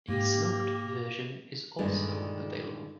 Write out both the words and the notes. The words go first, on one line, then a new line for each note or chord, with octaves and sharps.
A smoked version is also available.
G#2 A#3 G4
G2 A#2 D3 D#3 G#3